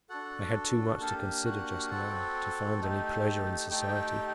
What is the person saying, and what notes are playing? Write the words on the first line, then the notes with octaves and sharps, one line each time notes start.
I had too much to consider just now, to find any pleasure in society.
D4 F#4 A4 F#5
A#3 D4 G4 A4 A5
F#4 F#5
C4 F#4 A4
A3 D#4 G4
A3 D#4 G4 G5